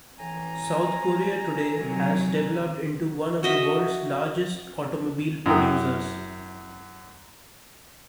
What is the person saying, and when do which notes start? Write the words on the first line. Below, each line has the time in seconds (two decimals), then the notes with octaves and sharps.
South Korea today has developed into one of the world's largest automobile producers.
0.19 A2 E3 G#5 A#5
1.78 C3 D#3 F#3
3.43 F#4 D#5 E5
5.46 F#2 E4 G5 D#6